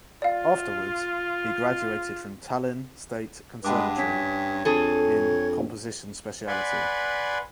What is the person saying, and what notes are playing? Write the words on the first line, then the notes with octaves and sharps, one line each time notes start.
Afterwards he graduated from Tallinn State Conservatory in composition speciality.
F4 D5 F5
G2 G#3 B4 F#5 A5 D6
C#4 C#5 G#5 B6
F2 D4 G#4 A4 C7
B4 D5 F#5 G#5 B5 C6